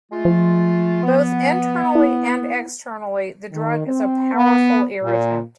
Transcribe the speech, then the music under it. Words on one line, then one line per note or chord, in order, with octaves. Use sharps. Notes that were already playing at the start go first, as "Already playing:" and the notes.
Both internally and externally the drug is a powerful irritant.
G#3 A3 F4
F3
B3
E4
D#3
C4
B3
A#2